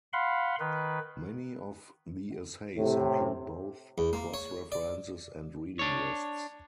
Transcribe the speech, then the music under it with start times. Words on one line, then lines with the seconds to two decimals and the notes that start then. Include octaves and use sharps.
Many of the essays include both cross-references and reading lists.
0.13 F5 F#5 B5 C6
0.60 D#3 B4
2.76 A2 C3
3.98 E2
4.13 A#3
4.34 C#5
4.72 D5
5.79 D4 C#5